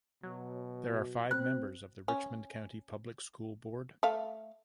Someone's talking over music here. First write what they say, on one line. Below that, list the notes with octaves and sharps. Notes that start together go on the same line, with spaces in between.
There are five members of the Richmond County Public School board.
B2 F#3
C4 F#6
C#4
A3 F5